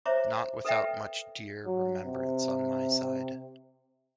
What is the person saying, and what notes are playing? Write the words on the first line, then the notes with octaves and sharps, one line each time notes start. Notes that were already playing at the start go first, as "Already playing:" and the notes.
Not without much dear remembrance on my side.
C5 C#5 E5 A#5 D6
A4 B4 D#5 E5 G5
F#3
C3